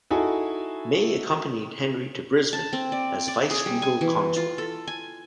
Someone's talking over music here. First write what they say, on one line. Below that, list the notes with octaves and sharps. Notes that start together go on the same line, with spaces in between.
May accompanied Henry to Brisbane, as vice-regal consort.
D#4 E4 F#4 G#4 A4
A5
C4
D5
D5
G#4
G3
G#5
E3
F4
A4
G#5